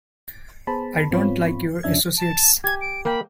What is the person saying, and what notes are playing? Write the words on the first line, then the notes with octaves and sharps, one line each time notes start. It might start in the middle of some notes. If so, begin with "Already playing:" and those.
I don't like your associates.
B3 G#4 C5 A5 B5
G#2 B3 C4 F4 C#5 B5
F2 F3 C#4 D4 E5 G#6
A5
G4 G#5 G#6
D7
A#3 A#4 G5 B5